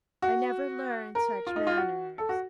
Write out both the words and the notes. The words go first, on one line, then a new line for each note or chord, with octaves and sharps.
I never learned such manners.
F#4
A#4
F4
D#4
F4
F#4
A4
F#4